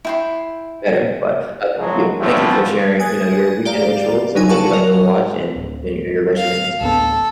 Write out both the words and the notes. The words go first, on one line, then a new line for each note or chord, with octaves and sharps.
better. But, uh, thank you. Thank you for sharing, you know, your weekend rituals of what you like to watch and and, you know, your regimens.
E4 G5 C6
C2 C#3 F3 F#3 G#3
G#2 D3 E3 F3 G3 A3
G#5 D#6 F#6 G#6 A6
G4 D5 F5 A#5
F#3 D#4 G#5
F#4 A4 D5 F5 A5 C#6
F#3 A#4
D1
F5
A1 D2 B3 A4